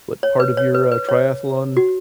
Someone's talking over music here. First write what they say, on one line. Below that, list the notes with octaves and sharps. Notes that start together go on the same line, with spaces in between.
what, part of your, uh, triathlon,
C#5
B4
C#5
B4
B4
C#5
F#4